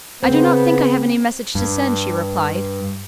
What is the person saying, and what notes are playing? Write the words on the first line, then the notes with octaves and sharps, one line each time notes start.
"I do not think I have any message to send," she replied.
C#3 B3 C4 C5
G2